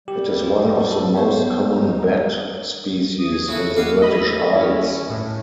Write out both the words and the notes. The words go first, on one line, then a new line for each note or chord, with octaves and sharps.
It is one of the most common bat species in the British Isles.
G3 G4
F4
A4
B3 C5 C#5
D#4
D#6
G#4
C#3 E4 F#4 A4
B3 B4 D5 F5
A3 D#5 B5
C#4 E4
A2